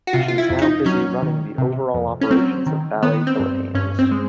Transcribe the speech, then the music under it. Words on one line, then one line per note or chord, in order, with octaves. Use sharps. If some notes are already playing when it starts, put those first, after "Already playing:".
She is now busy running the over-all operations of Ballet Philippines.
F#4
C3 F4
F4
E4
F2
D#4
F#3 C#4
D#3
C3
F2
C#4
F#3 C4
D#3
D#3 B3
C4
G2
G2 C#4
C4
G#3